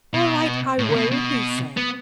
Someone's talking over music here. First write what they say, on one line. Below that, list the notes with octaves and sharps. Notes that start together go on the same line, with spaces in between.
"All right, I will," he said.
B2
A2
D3
B2
B2
B3